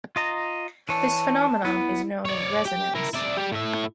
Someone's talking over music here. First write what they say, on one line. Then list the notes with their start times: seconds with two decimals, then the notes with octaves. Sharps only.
This phenomenon is known as resonance.
0.16 F4 D#5 A#5
0.89 E3 C#5 A5
1.65 B3 E4
2.25 C#5 D5
2.65 G4 G5
2.95 E4 A#4
3.13 E4 D5
3.37 G4 D5
3.52 A2 E5